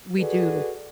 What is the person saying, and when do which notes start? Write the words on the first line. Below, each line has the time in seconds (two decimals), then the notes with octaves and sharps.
We do.
0.19 F#4 G#4 A4 B4 D5